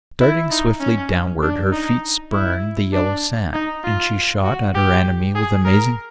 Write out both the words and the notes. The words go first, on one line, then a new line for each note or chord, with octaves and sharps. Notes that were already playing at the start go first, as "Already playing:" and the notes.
Darting swiftly downward her feet spurned the yellow sand, and she shot at her enemy with amazing speed.
E4
D#4
C#4
D4
D#4
E4
D4
D#4
F4
F#4
G4
G#4
A#4